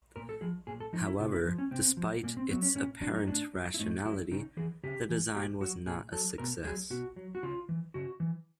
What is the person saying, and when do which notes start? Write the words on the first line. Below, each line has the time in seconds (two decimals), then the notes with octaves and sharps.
However, despite its apparent rationality, the design was not a success.
0.16 A#2 A#4
0.29 A4
0.41 F3 G#4
0.67 A#2 G#4
0.80 A4
0.93 F3 D#4
1.06 E4
1.19 C3 F4
1.32 E4
1.45 F3
1.58 C#4
1.71 C3 C4
1.97 F3
2.23 A#2 A#3
2.37 C4
2.49 F#3 B3
2.62 C#4
2.75 A#2 C#4
3.01 F#3 D4
3.16 D#4
3.27 A2 D4
3.53 F#3
3.74 E4
3.79 A2 D#4
4.05 F#3 E4
4.31 C#3 D#4
4.57 E3 G#4
4.83 C#3 G4
5.09 E3
5.35 A#2 G4
5.61 F#3 F#4
5.86 A#2 G#4
6.12 F#3 A4
6.38 B2 A#4
6.64 F#3 G#4
6.90 B2 F#4
7.16 F#3
7.35 F#4
7.43 C#3 F4
7.69 E3
7.94 C#3 F#4
8.20 E3